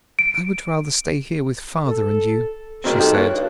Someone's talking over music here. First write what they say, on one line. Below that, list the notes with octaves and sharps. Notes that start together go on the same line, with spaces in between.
"I would rather stay here with father and you," she said.
D7
A4
C2 C#3 A#3 C4 F#4
D#4 G4 A4
A#3 C#5 F#6
G2